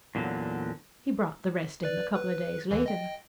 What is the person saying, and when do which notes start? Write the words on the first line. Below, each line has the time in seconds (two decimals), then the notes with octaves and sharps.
He brought the rest in a couple of days later.
0.15 E2 A#2 D3 E3 F#3
1.84 B4 D5
2.15 B4
2.71 D#2 D3 E3
2.86 D#5 G5